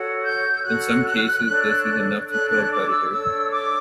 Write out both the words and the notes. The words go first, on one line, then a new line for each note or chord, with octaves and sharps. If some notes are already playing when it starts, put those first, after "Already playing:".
In some cases this is enough to kill a predator.
Already playing: F#4 A4 C#5
G6
E6
F#4 A4 C#5 F#6
D4 A4 C#5
D4 A4 C#5 F#6
F#6
D6
E6
F#6
D4 A4 C#5 E6
D6